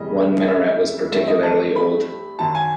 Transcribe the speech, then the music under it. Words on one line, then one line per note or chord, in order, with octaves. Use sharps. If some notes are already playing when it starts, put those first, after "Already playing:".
One minaret is particularly old.
Already playing: F1 E2 C#3 E3 G3 D#5
E5
G2 E3 A3 C4 E5
D#5
A5
B5
F#2 D#3 F#3 A5
G#5